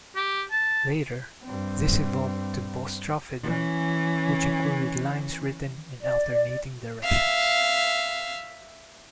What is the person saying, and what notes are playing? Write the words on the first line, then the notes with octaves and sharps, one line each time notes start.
Later, this evolved to "boustrophedon," which included lines written in alternating directions.
G4
A5
G2 C4
E3 C#4
D5
E5 F5